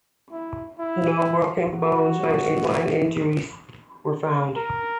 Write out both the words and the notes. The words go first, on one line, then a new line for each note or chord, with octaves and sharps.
No broken bones or spinal injuries were found.
E4
E4
F#4
A#4